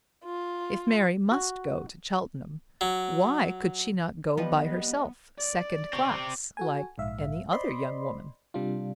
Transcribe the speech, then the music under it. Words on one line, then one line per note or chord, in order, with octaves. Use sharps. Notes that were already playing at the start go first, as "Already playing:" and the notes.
If Mary must go to Cheltenham, why could she not go by herself, second class, like any other young woman?
F4
F#4
F#3
F3 G3 B3 B4 D#5
D5
C4 G4 C#6 D6
F#4 A4 G#5
A#1 G#2 E5 F5
C5 D5 D#5 B5 C6
C3 G3 D4 F4